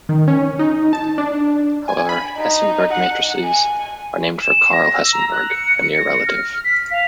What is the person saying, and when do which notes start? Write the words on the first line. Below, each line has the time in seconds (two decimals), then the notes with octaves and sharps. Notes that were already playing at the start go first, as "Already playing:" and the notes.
However, Hessenberg matrices are named for Karl Hessenberg, a near relative.
0.09 D#3
0.28 C#4
0.59 D#4
0.93 A5
1.18 D4
1.88 G#5
2.09 B5
2.38 D#4
2.93 F#5
3.45 G#5
4.42 E7
4.73 A#6
4.95 E6
5.13 A#5
5.32 F#6
5.50 C#7
5.97 A#6
6.27 F6
6.64 B6
6.91 F5